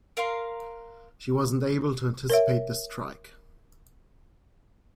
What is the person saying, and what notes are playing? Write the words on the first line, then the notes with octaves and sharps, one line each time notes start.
She wasn't able to anticipate the strike.
A#4 F5 A#5 C6
A#4 C#5 E5